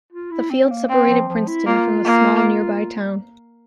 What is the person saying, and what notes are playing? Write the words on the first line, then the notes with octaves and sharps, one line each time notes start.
The field separated Princeton from the small nearby town.
F4
E4
C4
A#3
C4
F3
F3
E4
A#3 F4
A#3